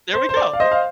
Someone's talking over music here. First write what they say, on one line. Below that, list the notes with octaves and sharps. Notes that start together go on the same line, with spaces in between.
There we go.
C5
C5
D5
F5
C5 D#5
F5